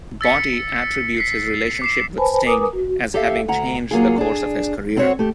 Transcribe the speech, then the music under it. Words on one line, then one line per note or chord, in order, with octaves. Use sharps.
Botti attributes his relationship with Sting as having changed the course of his career.
E6 A6 B6 C#7
B6 C7
D6 C7 E7
B4 C5 G#5 A5 B5
A#4 B4 G#5 A#5 D6 D#6
F#4
G4 A4 E5 F5
D2 F#5 A#5
F#3 A#3 F4 G#4
D4 G#4
F#2 C4 F#4 A#4 C#5
A3 G4